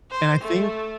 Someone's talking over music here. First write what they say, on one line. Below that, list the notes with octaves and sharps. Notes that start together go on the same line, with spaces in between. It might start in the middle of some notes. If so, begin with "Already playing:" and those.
And I think
C5
A3